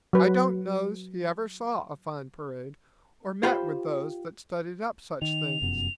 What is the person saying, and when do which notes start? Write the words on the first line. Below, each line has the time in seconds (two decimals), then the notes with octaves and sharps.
I don't know's he ever saw a fine parade, or met with those that studied up such things.
0.13 F#3 B4
3.43 F4 G4 C5 B5
5.22 D#3 F7
5.62 F1 F#2 B3